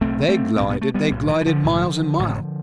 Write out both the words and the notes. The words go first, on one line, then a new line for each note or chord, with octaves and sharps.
They glided--they glided miles and miles.
B1 A2 A3 C4
A3 C4
B1 A2 C4
B3
A3
G3 B3
B1 A2
E3
E3
D3 F3
B1 A2
A1 A2